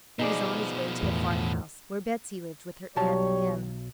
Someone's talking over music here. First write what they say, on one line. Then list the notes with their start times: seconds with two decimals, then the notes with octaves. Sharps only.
He was on his way to the farmhouse where Betsey lived with her Aunt Hannah.
0.19 B2 F3 D#4 G#4 D5
1.03 E2 A2
2.96 B1 F#3 G3 C#5 A5